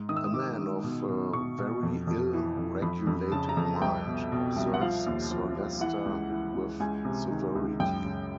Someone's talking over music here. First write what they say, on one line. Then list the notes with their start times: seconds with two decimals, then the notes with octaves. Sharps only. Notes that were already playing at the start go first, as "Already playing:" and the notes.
"A man of a very ill-regulated mind," observes Sir Leicester with severity.
Already playing: G#2
0.09 D#3 D#6
0.16 E6
0.24 D#6
0.34 D#3 D6
0.59 D#3
0.84 B2
1.08 B2
1.33 B2 C#6
1.58 B2
1.83 F2
2.07 F2
2.33 E3
2.58 F2
2.82 F2 B5
3.07 F2
3.32 C#3 A5
3.49 A#5
3.57 F2
3.65 A5
3.82 C2 G5
4.07 B2
4.32 B2
4.56 C2
4.74 F#5
4.81 F3 F5
5.06 D#2
5.31 F3
5.56 F3
5.81 E3 F#5
6.06 C#2
6.30 E3
6.55 C#2
6.80 C#2 G#5
7.05 C3
7.30 D#3
7.55 C#2
7.80 F#2 G5
8.05 C#3